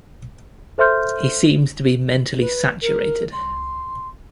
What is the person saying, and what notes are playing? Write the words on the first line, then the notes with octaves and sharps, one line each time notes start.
He seems to be mentally saturated.
A4 C5 E5 C6 F6 G6
B4
A#4
C6